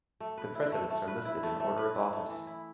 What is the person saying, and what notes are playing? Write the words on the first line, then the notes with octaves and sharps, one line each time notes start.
The presidents are listed in order of office.
A3
B4
E4
A3
A3
B4
E4
A3
A3
B4
E4
A3
E3
E4